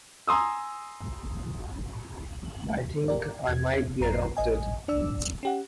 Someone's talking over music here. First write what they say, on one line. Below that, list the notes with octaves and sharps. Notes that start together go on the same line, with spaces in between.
I think I might be adopted.
G#5 A#5 C6 D#6 E6
G4 A#4 D5
E2 G#6
A1 F#2 A#5 C7
A1 D#5 G#5
D4 D5 E6
C#4 G4 F#5